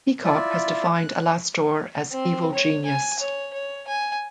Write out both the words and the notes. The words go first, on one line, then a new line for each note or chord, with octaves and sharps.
Peacock has defined Alastor as evil genius.
E4 F4 D5 E5
F#6
C4
C#5
G#5
C#5
C#5
G#5